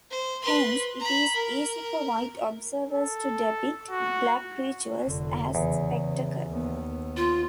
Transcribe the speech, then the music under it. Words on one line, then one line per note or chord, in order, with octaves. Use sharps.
Hence it is easy for white observers to depict black rituals as spectacle.
C5
B4 C6
A#5 B5
A#4
A4
F#4
F1 D3
E2 C#3
D#2 B3
F4